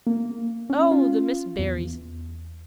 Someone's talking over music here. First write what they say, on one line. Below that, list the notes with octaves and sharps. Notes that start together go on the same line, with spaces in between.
Oh, the Miss Berrys!
A#3
C#4
F4
E2